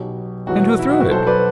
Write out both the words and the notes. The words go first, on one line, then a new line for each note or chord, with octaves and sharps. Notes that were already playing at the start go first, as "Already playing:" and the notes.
"And who threw it?"
Already playing: B1 B2 F#3 G4
E2 B2 F#3 F#4
E4
F#4
F#4
B1 B2 F#3 A4 C5
B4 D5